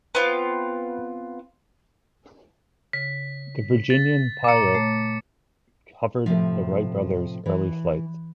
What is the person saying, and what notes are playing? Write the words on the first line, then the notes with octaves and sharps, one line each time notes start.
The Virginian-Pilot covered the Wright brothers' early flights.
B3 C4 F4
C#3 B6
A6
A#2 A#5 D6 C#7
A3 C#5
A2 C3 F3
E3